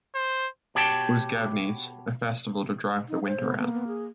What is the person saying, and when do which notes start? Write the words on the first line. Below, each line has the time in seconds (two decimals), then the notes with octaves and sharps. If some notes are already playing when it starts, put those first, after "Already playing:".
Uzgavenes - a festival to drive the winter out.
0.15 C5
0.75 B2 G4 C#5 G5 A5
3.08 D#4
3.26 C5
3.40 B3
3.57 A#3 B3
3.73 B3
3.87 G#4